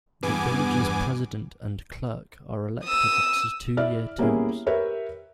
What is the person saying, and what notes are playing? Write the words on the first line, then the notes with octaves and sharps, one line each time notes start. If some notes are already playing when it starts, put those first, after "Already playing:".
The village's president and clerk are elected to two-year terms.
E2 G2 B3 G#5 D6
D#6 E6
E4 D5 E5 F6
G3 A#3 B3 C#4 E4 G#4
G4 A#4 B4 C#5 E5